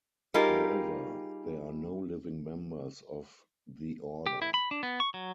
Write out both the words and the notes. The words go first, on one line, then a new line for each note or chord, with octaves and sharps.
However, there are no living members of the order.
G3 D#4 F4 G4 G#4 A#4
G4
E4
B5
D4
B3
C#6
F#3